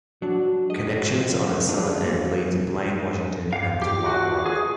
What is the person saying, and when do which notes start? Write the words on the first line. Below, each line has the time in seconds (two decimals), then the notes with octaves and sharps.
Connections on its southern end lead to Blaine, Washington and to White Rock.
0.22 F#3 D4 F#4
0.70 G#3 D#5
1.16 F3
1.69 G#3 D4 F4
2.04 F#3 A#3
3.53 G2 F5
3.82 F4 G4
4.06 F#4
4.46 G#4